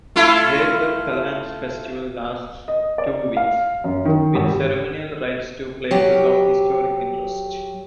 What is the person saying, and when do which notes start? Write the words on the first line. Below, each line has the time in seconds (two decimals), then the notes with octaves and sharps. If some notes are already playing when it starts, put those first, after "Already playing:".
Jedburgh Callants Festival lasts two weeks, with ceremonial rides to places of historic interest.
0.16 A3 E4 F4
2.68 D#5
2.98 D5
3.37 F5
3.84 F#2
4.05 D#3
4.35 G#1
4.49 G4
5.91 F#3 G4